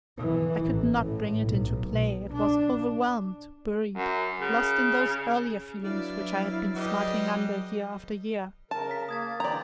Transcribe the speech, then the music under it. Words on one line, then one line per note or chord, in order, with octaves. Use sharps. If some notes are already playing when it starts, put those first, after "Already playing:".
I could not bring it into play; it was overwhelmed, buried, lost in those earlier feelings which I had been smarting under year after year.
E3
A1
A2
B1
B2
D4
F#2
C#3
F#3 D4 E4 B4 D5 F5
G3 D4 G4 G#4 B4 D#5
C#3 A#4 A5 A6
B6
A#3 D#6 G#6 A6
D3 E3 D5 G5 A#5 C6